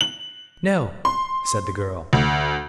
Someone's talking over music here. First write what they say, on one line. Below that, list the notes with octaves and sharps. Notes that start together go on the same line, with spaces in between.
"No," said the girl.
F#7
C6
D2